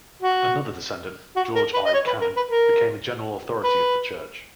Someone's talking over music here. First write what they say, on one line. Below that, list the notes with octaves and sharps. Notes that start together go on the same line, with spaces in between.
Another descendant, George I. Cannon, became a general authority of the church.
F#4
F#4
A#4
B4
D#5
C#5
B4
A#4
B4
A#4
B4